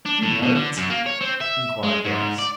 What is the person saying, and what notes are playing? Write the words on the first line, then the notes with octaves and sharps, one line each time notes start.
"You know it?" inquired Bryce.
D4
A2
B2
D3
F#2
A#3
C#5
C4
E5
G#3
G#2
D5